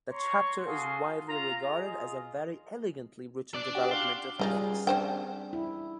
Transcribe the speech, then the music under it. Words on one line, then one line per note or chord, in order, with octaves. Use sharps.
This chapter is widely regarded as a very elegantly written development of ethics.
C#5 A#5 C6 C#6
F#4 A4 F5 G#5 C6 D#6
F4 A#5
F4 G#4 D#5
D4 D5
F#4 G4
F5 C6 G6
C#3 G3 C#4 D#4 F4 G#4
C4 D4 C5 G5
E4